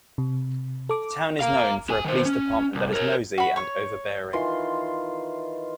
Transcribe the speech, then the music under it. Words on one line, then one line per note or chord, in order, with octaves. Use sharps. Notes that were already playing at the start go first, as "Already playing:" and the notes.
The town is known for a police department that is nosy and overbearing.
C3
A4 D6
F5 A#5
G4 G#5
D#3 C5
C#4
C2
A#4 C#5
F#4 B5
C#5 C#6
D#3 E3 F4 C6